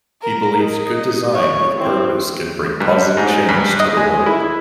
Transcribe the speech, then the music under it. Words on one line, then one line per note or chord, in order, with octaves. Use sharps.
He believes good design with purpose can bring positive change to the world.
A#4 A#5
D#5
D#5
C#5
C4 E4
G2
G#2
G2
D#5
G#3
E4